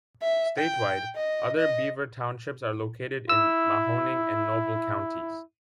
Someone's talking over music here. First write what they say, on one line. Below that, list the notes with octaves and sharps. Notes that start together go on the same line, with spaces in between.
Statewide, other Beaver Townships are located in Mahoning and Noble counties.
E5
G5
D#5
D#5
E4 E6